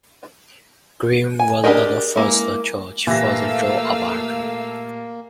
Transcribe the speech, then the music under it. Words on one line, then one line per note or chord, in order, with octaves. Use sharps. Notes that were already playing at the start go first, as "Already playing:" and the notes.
Greene was not the first choice for the role of Audrey.
G#5
D4 G4 G#4 A#4 D#5
G#3 A#3 E4
A#2 E3 A3 A#3 G4 F5 E6 A#6